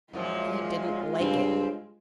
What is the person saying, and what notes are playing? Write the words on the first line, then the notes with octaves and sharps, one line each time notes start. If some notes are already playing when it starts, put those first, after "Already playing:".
He didn't LIKE it!
F#2 A#2 F3 G#3 F4
G2 C#3 C4